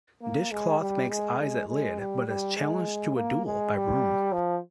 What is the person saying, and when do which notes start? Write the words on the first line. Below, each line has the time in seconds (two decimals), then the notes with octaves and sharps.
Dishcloth makes eyes at Lid but is challenged to a duel by Broom.
0.22 A#3
0.51 G#3
0.80 G3
1.11 G#3
1.40 G#3
1.69 G#3
1.99 G3
2.27 G3
2.57 G#3
3.15 A#3
3.45 G#3
3.75 G3
4.33 F3